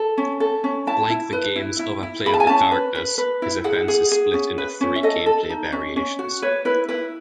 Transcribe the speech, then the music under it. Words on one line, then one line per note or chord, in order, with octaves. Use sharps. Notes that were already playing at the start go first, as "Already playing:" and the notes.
Like the game's other playable characters, his offense is split into three gameplay variations.
Already playing: A4
C#4
A4
C#4
E4 A5
E4
B4
E4
E4
E4
G#4 B5
A5
G#5
C#4 A5
B4
B4
B4
E4
G#4 F#5
G#4
G#4
C#4
B4
C#4
E5
A4 D#5
A4
D#4
C#4
C#4
F#4
B4 C#5
E4 B4
E4 B4